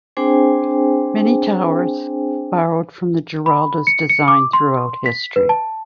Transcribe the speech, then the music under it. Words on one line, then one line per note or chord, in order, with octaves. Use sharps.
Many towers have borrowed from the Giralda's design throughout history.
C4 D4 G#4 C5 G5 G#5
B5
C#7
C#7
D6
C6
B6
B4
A5